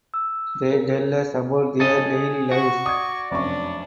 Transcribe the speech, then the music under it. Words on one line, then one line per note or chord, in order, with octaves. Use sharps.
They tell us about their daily lives.
E6
A#4
C#3 G#4 A4 D#5
F#4 C#6
D5 D#6 G#6
F1 F#2 C#4 D4 D5 C#6